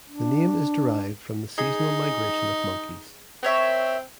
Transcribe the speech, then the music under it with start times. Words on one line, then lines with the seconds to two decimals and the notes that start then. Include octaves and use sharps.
The name is derived from the seasonal migration of monkeys.
0.10 D4
1.58 D#4 G#4
3.43 C4 A#4 C#5 E5